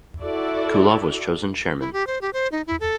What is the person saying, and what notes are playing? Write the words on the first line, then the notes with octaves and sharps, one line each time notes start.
Kulov was chosen Chairman.
E4 F#4 A4 D5
E4
G4
C5
G4
C5
D#4
E4
A4